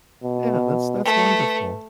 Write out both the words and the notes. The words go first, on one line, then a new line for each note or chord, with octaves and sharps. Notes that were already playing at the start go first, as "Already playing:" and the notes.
Yeah, that's that's wonderful.
B2
A3 B4